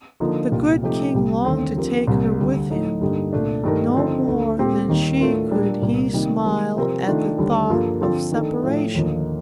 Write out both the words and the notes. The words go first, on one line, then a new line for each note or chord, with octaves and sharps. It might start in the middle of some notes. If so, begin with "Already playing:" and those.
The good king longed to take her with him; no more than she could he smile at the thought of separation.
D3 F3 A#3 D#4
C2 A#2 G3
C3 F3 A3 D#4 G4
C2 C3 G3
D#2 D3 A3 C4
D3 F3 C4 G4 A#4
C2 C3 G3 A#3
D2 D3 G3
A2 A3 D#4
G2 D3 G3 A#3 D#4
C2 A#2 A3 D4
G2 D#3 A3 D#4 A#4
D3 F3 C4 D#4 A4
D2 D3 A3
A#2 A3 C4 G4
D#2 D#3 G3 A#3
A2 A3 D4 F4 A#4
A#2 G3 A#3 D4
C2 A#2 G3 A#3
C3 D#3 G3 A#3 D#4
D#3 G3 A#3
C3 F3 C4 G4 A#4
D#3 A3 D4 F4
D#2 D3 G3
G2 F3 A#3 F4 A4
D3 F3 C4 F4 A4
D#3 A3 D4 A4
A2 F3 A3
D#2 D3 F3 A#3 D#4